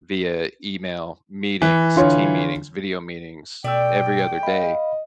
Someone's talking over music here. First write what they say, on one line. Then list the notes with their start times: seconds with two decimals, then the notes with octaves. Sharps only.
via email, meetings, team meetings, video meetings every other day,
1.62 E3
1.96 D3 F4 C#5
3.64 B2 A3 D5 G5 E6
4.43 D#5 F5 B5